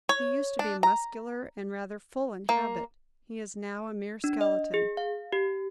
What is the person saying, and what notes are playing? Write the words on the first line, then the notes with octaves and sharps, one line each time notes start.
He used to be muscular and rather full in habit; he is now a mere skeleton.
C#5
D4
A#5
A#3
D4
D#5
G#4
F5
G4